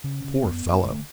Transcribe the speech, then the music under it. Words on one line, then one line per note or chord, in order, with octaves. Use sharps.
"Poor fellow!"
C#3 C#4
C#3
F#2 B3
F#2
D3 G#3
A3